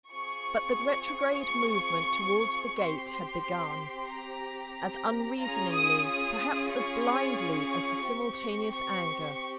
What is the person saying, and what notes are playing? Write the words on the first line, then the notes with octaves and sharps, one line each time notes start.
But the retrograde movement towards the gate had begun--as unreasoningly, perhaps as blindly, as the simultaneous anger.
C4 F4 G#4 C#6
C#6
C4 G4 C6
A#5
C#4 F4 G#4 A#5
D#6
D#6
C#6
C4 G4
C#6